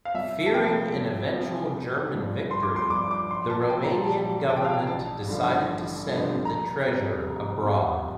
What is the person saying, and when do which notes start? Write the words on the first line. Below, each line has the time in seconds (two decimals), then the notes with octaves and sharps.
Fearing an eventual German victory, the Romanian government decided to send the Treasure abroad.
0.05 F5
0.15 C2 E5
0.46 A5
0.53 C3 F3 G5
0.93 C2
1.33 C3 F3
1.72 G1
2.11 G2 F3
2.51 G1 C6
2.63 D6
2.76 C6
2.90 G2 F3 D6
3.11 D6
3.30 A#1 C6
3.50 A5
3.70 A#2 F3 G5
3.84 A#5
3.90 A5
4.09 A#1 A5
4.49 A#2 F3 A5
4.57 G5
4.65 F5
4.74 G5
4.87 A1 A5
5.28 G2 D3 F3
5.67 A1
6.06 G2 D3 F3
6.45 F1 A#5
6.85 F2 C3 G3
7.25 F1
7.64 F2 C3 G3